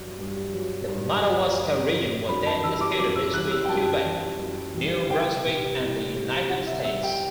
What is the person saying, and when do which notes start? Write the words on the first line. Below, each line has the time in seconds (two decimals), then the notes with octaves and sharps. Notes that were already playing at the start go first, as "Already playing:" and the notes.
The Madawaska region was then disputed between Quebec, New Brunswick and the United States.
Already playing: G2 F#3
0.18 G2
0.53 F#3
0.88 G2
1.23 F#3
1.58 G2
1.94 F#3
2.28 F#2 B5
2.46 A5
2.64 E3 G3 E6
2.81 D6
2.99 F#2 D6
3.16 E6
3.34 E3 G3 F#6
3.51 E6
3.64 G5
3.68 F#2 A5
4.04 E3 G3
4.39 F#2
4.74 E3 G3
5.09 C2 G5
5.45 C3 G3
5.80 C2
6.15 C3 G3
6.49 C2 F#5
6.67 E5
6.85 C3 G3 E5
7.03 G5